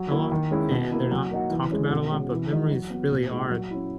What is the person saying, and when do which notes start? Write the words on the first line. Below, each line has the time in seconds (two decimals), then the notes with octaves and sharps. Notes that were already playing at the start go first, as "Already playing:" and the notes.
a lot, and, they're not talked about a lot, but memories really are th
Already playing: F#3
0.11 A#3 E4
0.32 D#3
0.51 G#3 C#4 E4
0.71 B2
0.92 A#3 E4
1.11 F#3
1.30 A#3 D#4 F#4
1.50 E3
1.71 G#3 C#4
1.90 B2
2.11 G#3 C#4 F#4
2.31 E3
2.50 G#3 D#4 F#4
2.71 F#3
2.90 B3 F#4
3.11 A#2
3.31 G#3 D#4 F#4
3.51 F#3
3.71 C#4 E4